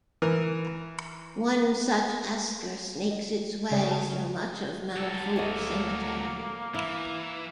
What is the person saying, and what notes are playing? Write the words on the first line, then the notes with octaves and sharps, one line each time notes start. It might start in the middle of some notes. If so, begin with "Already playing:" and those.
One such esker snakes its way through much of Mount Hope Cemetery.
E3 A#4
D#5
C#3 C4 D5 E5
A#4 A5
F#3 A4
D2 A3 A#3 D#5
E3 E4